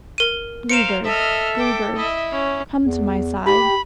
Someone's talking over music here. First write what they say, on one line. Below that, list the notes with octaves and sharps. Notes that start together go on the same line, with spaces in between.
"Blue Bird, Blue Bird, Come to my side."
A#4 D#7
C5 F5 A#5 C#7 D7 E7
A4 D#5 E5 F6
G5 D6
E4 D#5 E5
C#4
E2
G4 B5